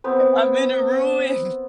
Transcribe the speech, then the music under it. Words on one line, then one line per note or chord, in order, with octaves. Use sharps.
I'm in a ruin.
B3 C4 B4